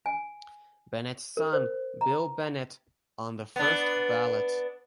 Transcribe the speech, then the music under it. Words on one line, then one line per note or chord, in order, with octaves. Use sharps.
Bennett's son, Bill Bennett, on the first ballot.
G#5
A#4
C5
A#5
B3 D4